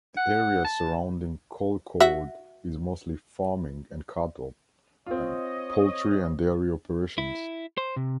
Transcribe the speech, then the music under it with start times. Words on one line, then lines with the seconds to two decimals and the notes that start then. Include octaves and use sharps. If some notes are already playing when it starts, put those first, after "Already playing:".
The area surrounding Colcord is mostly farming and cattle, poultry and dairy operations.
0.17 F#5
0.65 A5
2.00 F#4 E5
5.06 C4 F4 C#5 D#5
7.18 E4
7.78 C5
7.96 C3